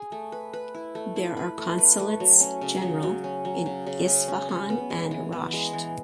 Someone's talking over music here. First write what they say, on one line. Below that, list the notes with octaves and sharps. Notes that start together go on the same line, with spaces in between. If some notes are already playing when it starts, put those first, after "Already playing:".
There are consulates general in Isfahan and Rasht.
Already playing: G#4
A3
B4
B4
E4
A3
E4
B4
A3
B4
A3
F#3
C#4
C#3
F#3
F#3
C#4
F#3
C#3
C#3
C#4
C#4
C#4
B3
G#3
E3
B3
G#3
E3